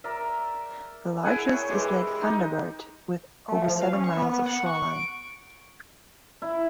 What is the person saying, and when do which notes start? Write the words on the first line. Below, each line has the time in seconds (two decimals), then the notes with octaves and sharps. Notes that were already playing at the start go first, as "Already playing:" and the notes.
The largest is Lake Thunderbird with over seven miles of shoreline.
0.04 A#4 D5 E5
1.24 E4 G#4 F#5 G#5
1.47 C#5 E5 G5 C#6
1.69 E3 G#3 G4 C6
2.22 D#4 G4
3.48 A3
3.62 F3
3.81 F5
3.93 C#4
4.04 C#6
4.17 B3
4.29 B3
4.46 F#5
4.66 C#6
4.91 D7
6.42 E4